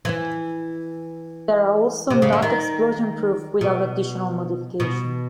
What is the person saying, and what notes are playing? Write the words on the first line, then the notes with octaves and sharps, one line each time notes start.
They are also not explosion proof without additional modifications.
E3
C3
C#3
D3
D#3
B2
B2